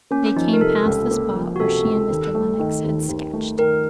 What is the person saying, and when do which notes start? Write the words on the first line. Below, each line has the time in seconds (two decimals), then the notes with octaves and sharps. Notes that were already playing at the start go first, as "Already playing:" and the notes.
They came past the spot where she and Mr. Lennox had sketched.
0.11 A#3 C#4
0.36 F3 D#4
0.54 A#4
0.60 C3 A4
0.86 C#2
1.11 A#3
1.35 F3
1.56 F#4
1.60 C3 A4
1.85 C#2
2.09 D#2
2.35 A3
2.59 D#3
2.84 D#2
3.09 D#2
3.33 A3
3.59 D#3 A#4